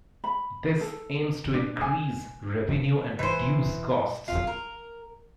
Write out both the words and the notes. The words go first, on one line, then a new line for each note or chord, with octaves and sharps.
This aims to increase revenue and reduce costs.
B5
A4
D4
G#5
E3 C5
F4
A#4